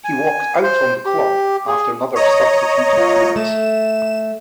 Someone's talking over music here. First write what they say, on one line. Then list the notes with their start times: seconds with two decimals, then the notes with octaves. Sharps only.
He walked out on the club after another substitute appearance.
0.04 G#5
0.63 C5
1.06 G4
1.67 G#4
2.16 C#5 D#5 A#5
2.93 A3 F4
3.36 A3 E7